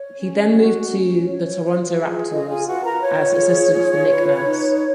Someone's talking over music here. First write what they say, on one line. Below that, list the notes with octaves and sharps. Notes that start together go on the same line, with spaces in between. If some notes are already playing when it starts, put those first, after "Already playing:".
He then moved to the Toronto Raptors as assistant for Nick Nurse.
Already playing: C#5
C#4
F#4
C#4
C#5
F4
G#4
F4 D#5
G#4 G#5
F#4 B4 F#5
A#4 A#5
F4 C#5
G#4
F4
B4
D#4